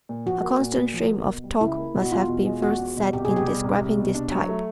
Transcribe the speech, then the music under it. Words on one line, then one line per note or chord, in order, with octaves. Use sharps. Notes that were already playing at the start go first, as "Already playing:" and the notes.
"A constant stream of talk" must have been first said in describing this type.
A#2
F3 F#4
A#3
A#2
A#2
F3
A#3
B2
G3
C#2 E4
A#3
B2
F#4
E2 F4
B2
G#3
E2 F#4
E2
B2
C2 G4
B2 G#4
G4
G3
C2
C2
B2
D4
F#3
A3